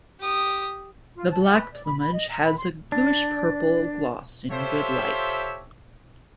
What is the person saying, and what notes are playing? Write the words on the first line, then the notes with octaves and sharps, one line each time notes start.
The black plumage has a bluish-purple gloss in good light.
G4 D#6
F4
A5
F#5
B4
D5
B5
B5
D#5
A#5
B5
C6
D4
F4 G4 A4 C5 C#5 E5